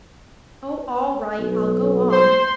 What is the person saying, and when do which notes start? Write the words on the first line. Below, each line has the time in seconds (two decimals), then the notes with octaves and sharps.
Oh, all right; I'll go on.
1.40 B1
2.12 C5 C6